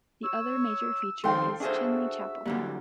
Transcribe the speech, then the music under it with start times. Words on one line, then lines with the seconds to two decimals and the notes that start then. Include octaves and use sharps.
The other major feature is Chinley Chapel.
0.24 C#5 E6
1.24 F2 D#3 C4 A4 F5 G5 C6
1.60 D4 F#4 G#4 C5 E5
2.46 D3 F#3 G3 A#3